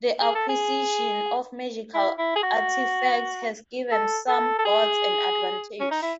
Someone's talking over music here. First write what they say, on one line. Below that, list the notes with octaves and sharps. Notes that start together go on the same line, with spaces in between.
The acquisition of magical artifacts has given some gods an advantage.
G#4
A4
G#4
E4
E4
G#4
F#4
A4
A4
A4
G#4
C#4
D#4
E4